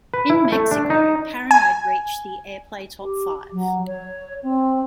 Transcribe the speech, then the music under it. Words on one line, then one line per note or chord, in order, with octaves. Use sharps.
In Mexico, "...Paranoid" reached the airplay top five.
B4
E4
A3
D4
D#4
G#5
G4
F#3
C#5
C4